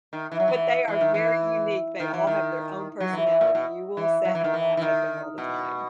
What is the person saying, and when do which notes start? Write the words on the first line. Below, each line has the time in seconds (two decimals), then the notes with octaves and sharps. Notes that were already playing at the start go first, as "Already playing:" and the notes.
But they are very unique. They all have their own personality. You will sit and laugh at them all the time.
0.13 D#3
0.32 E3
0.40 F#3
0.48 E3
0.88 E3
1.01 D#3
1.14 E3
2.00 D#3
2.14 E3
2.27 D#3
3.00 F#3
3.13 E3
3.27 E3
3.41 A#2
3.55 B2
3.97 E3
4.25 F#3
4.35 E3
4.44 D#3
4.54 E3
4.77 E3
4.81 D#3
5.38 B2